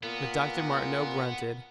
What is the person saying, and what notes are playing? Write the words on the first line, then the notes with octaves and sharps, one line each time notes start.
But Dr. Martineau grunted.
A#2 B3